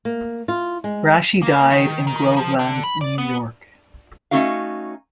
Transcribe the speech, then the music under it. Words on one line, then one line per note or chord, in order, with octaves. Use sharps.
Raschi died in Groveland, New York.
A#3
F4
G#3
A#3
D#3
D#3
F3
D3
B5
D5
B3
A3 C4 C#4 D#4 F#4 F5